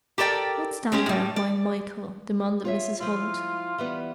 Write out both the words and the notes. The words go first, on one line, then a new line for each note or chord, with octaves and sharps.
"What's that about my Michael," demanded Mrs. Hunt.
G4 A4 A#4 D5 G5
G#3 C#4 G4 G#4
A2 G3
D5
F4 C#5 E5
F3 E4 F4
E3 G3 B3